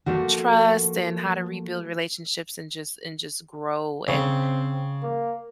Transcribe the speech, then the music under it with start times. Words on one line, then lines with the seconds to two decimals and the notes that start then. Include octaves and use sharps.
trust and how to rebuild relationships and just and just grow and
0.06 F3 A3 A#3 F#4
4.08 C#3 C4
5.03 A#3